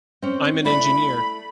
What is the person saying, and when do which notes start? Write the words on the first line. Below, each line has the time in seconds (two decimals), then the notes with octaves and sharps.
I’m an engineer.
0.22 C4 C#4
0.65 A3 E4 D5 B5